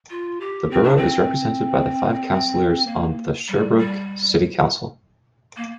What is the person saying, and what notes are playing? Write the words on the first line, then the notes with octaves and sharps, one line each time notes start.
The borough is represented by five councillors on the Sherbrooke City Council.
F4
G4
C4
D4
C4
A#3
G3
G3
A#3